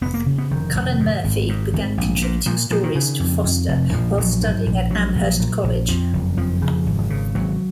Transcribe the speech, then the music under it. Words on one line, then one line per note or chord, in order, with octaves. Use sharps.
Cullen Murphy began contributing stories to Foster while studying at Amherst College.
F1 B3
A#3
C#3
B3
F1 D#3
F1
G#2
G#1
G#2
G#1
A#1
A#2
A#2 F3
A#2 F3
D#3
C#3
F2
F2
F1
A#1 F3
A#1 F#3
G#2
A#1
A#1 F#3
A#1
A#2
A#1
F2 F3
F#1
F2 F3
C#3
G#1
C#3
G#1 F#3